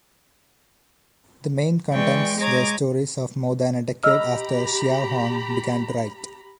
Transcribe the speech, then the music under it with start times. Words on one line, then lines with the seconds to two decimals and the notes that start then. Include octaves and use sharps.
The main contents were stories of more than a decade after Xiao Hong began to write.
1.92 E3 G#3 D5 G5 C#6
2.39 G#3 C#5 D#5 A#5 D6 G#6
4.03 G4 D#5 A#5 B5 E6 F6